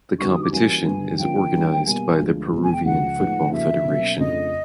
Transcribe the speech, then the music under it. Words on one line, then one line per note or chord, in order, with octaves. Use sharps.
The competition is organised by the Peruvian Football Federation.
D3 G3 B3 D#4 F#4 C#6
D#6
D6
E3 G3 A#3 C#4 F#4 G#5
G2 D3 G3 B3
D3 F3 A#3 C#4 F4 G5
E3 G3 B3 D4
B2 G3 A#3 G#5
D2 D3 F3 G#3
E2 B2 G#3
G#5
G5
C#2 C#3 F3 F#5
A2 F3 G#3 B3 D#4
D#2 C#3 F3 E5
B2 F#3 A#3 C#4
F2 C#3 F3 A3 D4 D#5